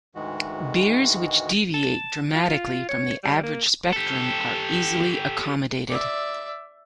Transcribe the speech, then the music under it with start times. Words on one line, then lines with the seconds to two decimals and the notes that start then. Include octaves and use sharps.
Beers which deviate dramatically from the "average" spectrum are easily accommodated.
0.15 D2 G#2 D#3 E3 G#3 F#4
1.74 A5
2.35 F4
2.88 C#5
3.23 G3
3.43 A#3
3.93 G4 A4
5.88 D5 E5